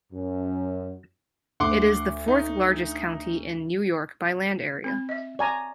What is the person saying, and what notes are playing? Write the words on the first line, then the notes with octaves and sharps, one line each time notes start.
It is the fourth-largest county in New York by land area.
F#2
D2 F#5 C6 D6
D#4
C4 B5
D#5 E5
D5 G#5 A#5 C#6